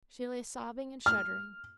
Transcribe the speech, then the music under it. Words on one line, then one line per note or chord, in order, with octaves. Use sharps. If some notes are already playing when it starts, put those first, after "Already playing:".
She lay sobbing and shuddering.
F6